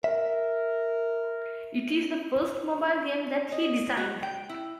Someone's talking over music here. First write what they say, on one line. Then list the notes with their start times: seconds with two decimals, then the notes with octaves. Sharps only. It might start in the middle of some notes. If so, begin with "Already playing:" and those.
It is the first mobile game that he designed.
0.04 A#4 E5
3.52 D#5
3.97 F#4
4.23 G5
4.49 E4